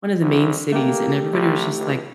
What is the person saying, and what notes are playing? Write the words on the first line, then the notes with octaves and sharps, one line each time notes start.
one of the main cities, and everybody was just, like,
C2
A3 A#3 G4
C2
C#2